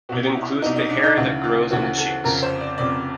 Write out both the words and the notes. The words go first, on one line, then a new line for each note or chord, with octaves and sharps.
It includes the hair that grows on the cheeks.
C2 B2 F#4
E4
C2 B2 D#4
D#4
D4
D#4
D2 C#3 E3 E4
F4
D2 C#3 E3 F#4
A4
F1 F2 C#3 A#4
C5
D5
F1 F2 C#3 D5